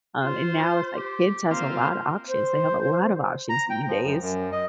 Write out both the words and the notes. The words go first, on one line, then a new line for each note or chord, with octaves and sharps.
um, and now, it's like, kids has a lot of options; they have a lot of options these days.
F4 C5
G4
A#3 C4 F4 C5
C5
A#5
G5
F3
F#2
F#2
D#5